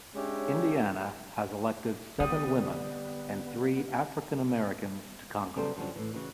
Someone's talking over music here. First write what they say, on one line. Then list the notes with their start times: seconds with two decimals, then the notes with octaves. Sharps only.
Indiana has elected seven women and three African Americans to Congress.
0.16 G#3 C#4 D4 G4 C#5 E5
2.20 D3 G3 B3 D#6
5.56 C#3 F#3 G3 B3 A4 C5
5.77 F#2 D3 F3 G3 C#4
5.96 A2 E3
6.14 C#3 E3 F#4